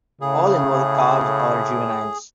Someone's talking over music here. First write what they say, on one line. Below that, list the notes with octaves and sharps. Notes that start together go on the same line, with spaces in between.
All involved calves or juveniles.
A2 C#3 G#4